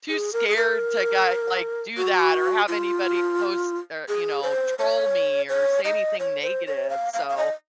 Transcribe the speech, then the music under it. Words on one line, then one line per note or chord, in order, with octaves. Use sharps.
too scared to get like, do that or have anybody post er, you know, troll me or say anything negative, so,
G#4
A#4
G#4
A#4
F#4
F4
G#4
C5
C#5
C#5
D#5
C#5
C5
C#5
F5
F5
F5
D#5